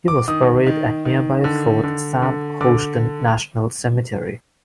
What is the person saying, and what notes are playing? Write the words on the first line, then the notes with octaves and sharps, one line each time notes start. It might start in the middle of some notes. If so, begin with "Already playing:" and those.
He was buried at nearby Fort Sam Houston National Cemetery.
D6
D#3 D#6
D#3
D#3
D3
D3
D3
D3 D6